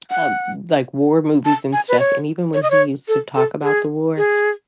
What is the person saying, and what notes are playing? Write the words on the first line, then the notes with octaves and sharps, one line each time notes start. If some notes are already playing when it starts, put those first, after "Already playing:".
Uh, b like, war movies and stuff, and even when he used to talk about the war,
F#5
A5
G#5
B4
C#5
C#5
D#5
C#5
A4
A4
G#4
G#4